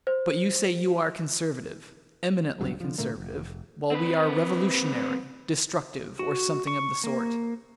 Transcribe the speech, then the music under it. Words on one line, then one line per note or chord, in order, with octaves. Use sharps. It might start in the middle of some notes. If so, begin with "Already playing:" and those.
But you say you are conservative--eminently conservative--while we are revolutionary, destructive, or something, of the sort.
C5
D#1 C#2 G2 F#3
D3 F3
A#2 D3 A3 A#3
F1
C4 B4
F#4
C#6
A#3